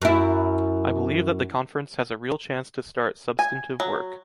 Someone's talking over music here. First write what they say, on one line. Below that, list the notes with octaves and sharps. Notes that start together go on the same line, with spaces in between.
I believe that the Conference has a real chance to start substantive work.
F#2 E4
G#5
F#3